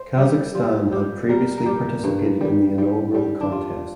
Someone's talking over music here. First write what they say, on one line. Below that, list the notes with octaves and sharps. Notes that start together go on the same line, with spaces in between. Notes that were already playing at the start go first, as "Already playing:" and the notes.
Kazakhstan had previously participated in the inaugural contest.
Already playing: C5
G3 G4
G3 F4
G3 G4
G3 A#4
A#4
G3 G4
G2
G3
G3
G3
D4
G3 F4